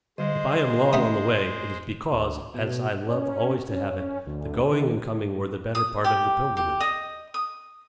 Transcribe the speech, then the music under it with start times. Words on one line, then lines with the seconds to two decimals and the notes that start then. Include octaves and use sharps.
If I am long on the way, it is because, as I love always to have it, the going and coming were the better part of the pilgrimage.
0.18 D3 G3 G#3 C5 D#5
0.93 A3 B3 C#4 E5 D#6
2.13 D2
2.54 B2
3.06 C#4
3.70 C#4
4.27 D2
4.71 D#3
5.75 D#6
6.04 G4
6.57 G4
6.80 D#5
7.34 D#6